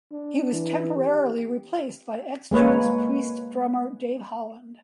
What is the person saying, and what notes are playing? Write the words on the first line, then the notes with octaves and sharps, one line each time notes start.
He was temporarily replaced by ex-Judas Priest drummer Dave Holland.
D4
E3
G4
G#3 A#3 B4 C#5